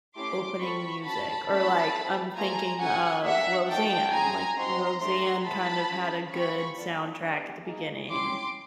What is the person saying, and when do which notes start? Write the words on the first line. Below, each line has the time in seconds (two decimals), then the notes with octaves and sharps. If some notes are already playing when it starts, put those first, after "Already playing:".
opening music. Or, like, I'm thinking of Roseanne. Like, Roseanne kind of had a good soundtrack at the beginning.
0.16 A3 C#4 E4 G4 C6 D6
0.60 C4 F4 A4 B5 C#6
1.04 C#4 F#4 A4 A5 B5
1.48 A3 C#4 E4 A5 B5
1.92 A3 C4 E4 G#4
2.36 A3 C4 F4 G#4 G#5 A#5
2.80 C#4 F#4 A4 F#5 G#5
3.24 A#3 D4 G4 E5 F#5
3.68 A#3 D#4 F#4 A4 G5 A5
4.12 C#4 F4 G#4 G#5 A#5
4.57 C4 D#4 F#4 A#5 C6
5.00 A3 D4 G4 A#5 C6
5.45 B3 E4 G#4 A5 B5
5.89 C#4 F4 G#4
6.33 C4 F4 G#4 B5 C#6
6.77 B3 D4 F4 A4
7.22 B3 D4 G4
7.65 A#3 D#4 G#4
8.09 C#4 E4 G4 C6 D6